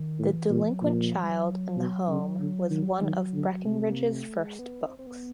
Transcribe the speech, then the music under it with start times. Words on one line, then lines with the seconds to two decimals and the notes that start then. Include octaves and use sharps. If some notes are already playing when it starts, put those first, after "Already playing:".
"The Delinquent Child and the Home" was one of Breckinridge's first books.
Already playing: D#3
0.19 A2
0.35 E3
0.50 A#2
0.71 F#3
0.81 A#2 F3
1.23 G3
1.29 F#3
1.76 B2
2.08 C#3
2.39 D3
2.70 D#3
3.01 D#3
3.33 D3
3.64 C3 G#3
3.81 A3
3.88 A#3
4.12 A3
4.35 G#3
4.59 B3
4.83 C4
4.99 C4
5.07 B3